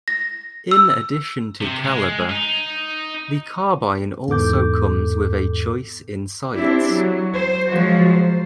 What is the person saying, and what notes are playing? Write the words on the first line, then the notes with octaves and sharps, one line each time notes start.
In addition to caliber, the Carbine also comes with a choice in sights.
A#6
E6
C3
G#3
D#4
E2 G#2 A4 D6 G6
C4 D4 E4 G4
F#3
C5
F3 F#3 G#3 F4 F#4
C5